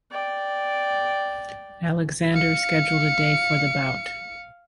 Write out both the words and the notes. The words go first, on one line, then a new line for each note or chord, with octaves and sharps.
Alexander scheduled a day for the bout.
D5 G5
F5 C#7